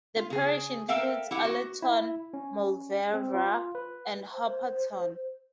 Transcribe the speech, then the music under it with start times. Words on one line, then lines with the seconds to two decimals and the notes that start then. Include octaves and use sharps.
The parish includes Allerton Mauleverer and Hopperton.
0.16 F4
0.30 C#3 G#4
0.88 A4 A#4 E5 F5 G5
1.31 E4 G4 F#5
1.44 F#4
1.82 E4
2.34 C#4
3.14 C4
3.34 F4
3.75 B4
4.32 C5